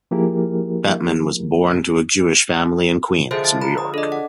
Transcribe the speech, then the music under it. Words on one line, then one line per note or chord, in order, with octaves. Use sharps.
Bettman was born to a Jewish family in Queens, New York.
F3 A#3 E4 G4 G#4 A#4
D3 F3 G#3 C5 E5
A5 A6
A#5 B5
D#6
D4 A4 D#5
F#5